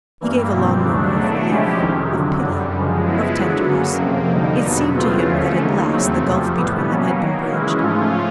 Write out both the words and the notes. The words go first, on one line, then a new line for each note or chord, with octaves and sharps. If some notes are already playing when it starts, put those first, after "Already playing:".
He gave a long murmur of relief, of pity, of tenderness; it seemed to him that at last the gulf between them had been bridged.
G2 E3 G3 A#3
B2 G3 C4
D#2 C#3 F#3 A3 D4
B2 F#3 A3 D4
F3 G#3 C#4 E4 G4
F2 C3 D#3
F2 D3 F#3
F#2 D3 G3
F#2 C#3 F3 G#3
F3 G#3 B3 E4
D3 F#3 B3
F#2 C#3 F#3 A#3
F2 C3 F3 A#3
D3 G3 A#3 D#4
E2 B2 F#3 B3
C#3 E3 A3 C4 F4
D#2 D3 F3 A3 C#4
D#2 C#3 F#3 A#3 D#4
E2 C#3 F#3 A3 C4
F2 C3 F3 A3
A2 E3 G3 B3
B2 F#3 A#3 C#4
D#3 F#3 A#3
C#3 E3 G#3 C#4 E4
G#2 F3 A3 C#4 F4